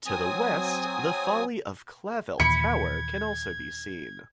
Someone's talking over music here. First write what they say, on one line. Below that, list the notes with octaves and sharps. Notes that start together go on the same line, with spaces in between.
To the west, the folly of Clavell Tower can also be seen.
F#3 C4 G#5 D#6
D#2 A#2 E3 B5 G#6 C#7